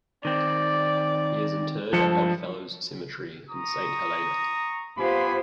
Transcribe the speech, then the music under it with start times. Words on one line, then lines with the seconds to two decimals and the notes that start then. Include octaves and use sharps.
He is interred at Odd Fellows Cemetery in Saint Helena.
0.25 D#3 C4 D5
1.93 G2 F3 G#3 A4 C#7
3.49 A#5 C#6 D#6
4.98 B3 F4 G4 C5 G#5 B5